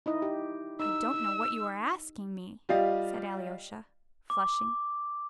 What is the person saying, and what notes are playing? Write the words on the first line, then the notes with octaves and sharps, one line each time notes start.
"I don't know what you are asking me," said Alyosha, flushing.
D#4 E4 D#5
G4
D#4 E6
G3 F4 G4 D#5 F5
D6